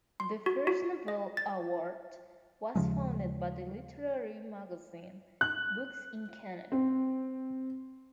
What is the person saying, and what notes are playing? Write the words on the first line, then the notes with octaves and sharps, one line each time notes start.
The First Novel Award was founded by the literary magazine "Books in Canada".
C6
F#4
F#4
D#5
A6
D#2 C#3 F3 G#3
F#6
C4